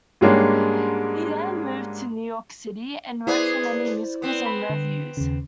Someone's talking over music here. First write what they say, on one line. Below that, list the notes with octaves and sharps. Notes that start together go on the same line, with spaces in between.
He then moved to New York City and wrote for many musicals and revues.
G#2 G3 G#3 A#3 C#4 D4
B3 E4 G#4 C5 D5
B3 C4
B5
D3
D#2 C#3